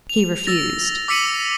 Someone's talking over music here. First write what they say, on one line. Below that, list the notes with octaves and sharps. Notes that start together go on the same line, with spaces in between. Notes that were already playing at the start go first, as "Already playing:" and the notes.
He refused.
F7
E6 A6 A#6
D6 E6 B6 C#7 D#7 F#7